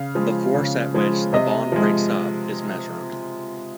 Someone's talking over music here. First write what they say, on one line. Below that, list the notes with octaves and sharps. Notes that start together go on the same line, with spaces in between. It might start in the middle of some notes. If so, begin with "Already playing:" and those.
The force at which the bond breaks up is measured.
Already playing: C#3 F5
F3 G#3
C#3
F3 G#3
C3 D#5
F3 G#3